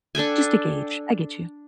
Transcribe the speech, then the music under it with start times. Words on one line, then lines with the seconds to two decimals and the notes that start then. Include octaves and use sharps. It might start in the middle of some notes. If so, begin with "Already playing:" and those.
Just to gauge. I get you.
0.15 D4 A4 G5 G#5